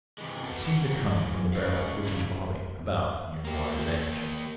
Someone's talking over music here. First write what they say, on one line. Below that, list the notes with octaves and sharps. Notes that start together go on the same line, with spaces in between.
It seemed to come from the barrel which was bobbing about near the water's edge.
C3 E3 G#3
B3 F#4 A4
E3 C#5 F#5
G#3 C#4 D#5 F5
A2 C#3 E4
A#3 G4